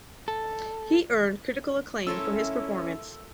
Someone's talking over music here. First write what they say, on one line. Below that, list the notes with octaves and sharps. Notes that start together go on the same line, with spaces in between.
He earned critical acclaim for his performance.
A4
A3 C#4 E4 F4 A#4 E6